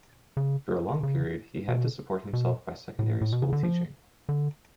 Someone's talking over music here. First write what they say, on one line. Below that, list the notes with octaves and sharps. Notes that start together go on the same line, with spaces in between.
For a long period he had to support himself by secondary-school teaching.
C#3
C#3
B2
B2
A2
A2
B2
C#3
D3
F3
D3